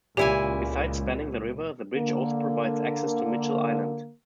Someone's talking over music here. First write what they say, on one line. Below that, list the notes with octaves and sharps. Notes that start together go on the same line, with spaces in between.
Besides spanning the river, the bridge also provides access to Mitchell Island.
C#2 A#2 E4 G4 G#5
D3 A#3